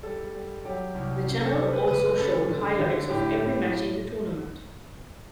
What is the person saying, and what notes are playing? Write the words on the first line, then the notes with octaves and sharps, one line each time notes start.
The channel also showed highlights of every match in the tournament.
G3 A4
G3
F#3 G4
C2
F#2
A4
G3 C5
B4
F#1 B4
F#2 A4
D3
D3
A2 G4
A2